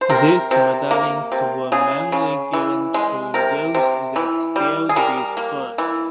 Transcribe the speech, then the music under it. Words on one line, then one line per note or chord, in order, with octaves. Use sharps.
These medallions were mainly given to those that sailed with Bern.
C5
C3 A#4
C3
A#3
C3
C#3 G#4
C#3
E3
G#3
C3 A#4
C3
E3
G3
G#4
G3 A#4
A#3
E3